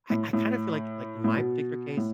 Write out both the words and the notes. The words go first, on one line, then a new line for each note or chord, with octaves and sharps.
I I kind of feel like like, in my particular case,
A2
A2
A2
B2
A2